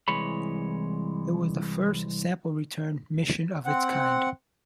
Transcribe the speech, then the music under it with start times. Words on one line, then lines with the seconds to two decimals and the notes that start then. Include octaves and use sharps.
It was the first sample return mission of its kind.
0.08 C2 E3 G#3 C#5 B5
3.66 C4 F#5